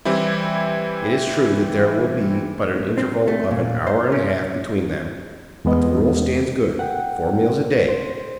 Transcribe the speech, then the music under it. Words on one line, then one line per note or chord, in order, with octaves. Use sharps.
It is true that there will be but an interval of an hour and a half between them, but the rule stands good--four meals a day.
E3 G3 C4 E4
C4
A3
A#2
C5
C#4
E2 G#3 B3 D#5
F#5 G5
C5